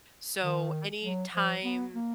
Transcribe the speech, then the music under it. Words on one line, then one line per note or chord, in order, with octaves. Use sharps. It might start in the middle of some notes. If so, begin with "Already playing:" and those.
So anytime
D#3
F#3
F3
B3
A#3